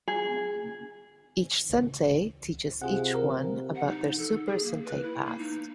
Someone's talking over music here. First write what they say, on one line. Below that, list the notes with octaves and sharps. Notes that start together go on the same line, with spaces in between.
Each sentai teaches each one about their Super Sentai past.
G#4
C#2
C3 F4 G#4 F#5
A#4
F#5
D#4
A4
G#4
A#3
B4
E4
A#3
D#4